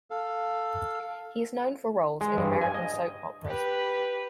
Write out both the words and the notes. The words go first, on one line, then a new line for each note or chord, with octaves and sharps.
He is known for roles in American soap operas.
A4 F5
G#3
G2
G#5
D#5
G4 B4